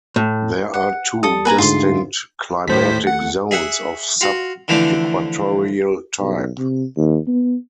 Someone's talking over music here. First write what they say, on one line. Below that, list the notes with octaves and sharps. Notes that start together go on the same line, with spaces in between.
There are two distinct climatic zones of sub-equatorial type.
A2
F#5
G3 A4 D#6
A#3 B4 G#5 A#5
D2 G#2 F4 C6
D#2 A2 A3 C5 B6
F#5
G#4 E5 F#5
F4 F#4
D3 E3 F3 A3 D4
B1
C3
D#2
B3